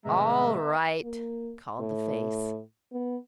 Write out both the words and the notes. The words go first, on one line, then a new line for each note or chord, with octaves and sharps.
"All right," called the face.
A2 C3 D#3 G#3 B3 E5 A#5
A#3
A2
B3